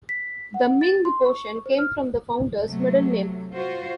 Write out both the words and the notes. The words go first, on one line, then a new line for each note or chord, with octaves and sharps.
The Ming portion came from the founder's "middle name".
B6
F#5
A6
C6
C#6
C5
F6
C3 F#3 A3
F4 F#4 C5